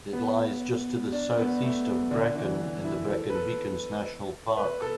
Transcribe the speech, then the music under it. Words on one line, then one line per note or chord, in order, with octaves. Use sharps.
It lies just to the southeast of Brecon in the Brecon Beacons National Park.
B3
D4
B3
A3
B3
D3
E3
E4
A4
B4
A4
B4
A4